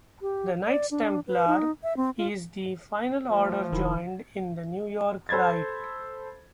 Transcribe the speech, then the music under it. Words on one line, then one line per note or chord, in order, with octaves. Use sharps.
The Knights Templar is the final order joined in the York Rite.
G4
D5
D4
B4
D#4
E5
C4
F4
F3 A3
E1 D#3 E4
A4 C5 B5 G#6 A6